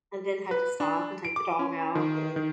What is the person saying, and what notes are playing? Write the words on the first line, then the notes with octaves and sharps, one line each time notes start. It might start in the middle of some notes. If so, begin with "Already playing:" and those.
and then had to stop and take the dog out and
B4
D4
D7
D6
C#4
D#3
D#3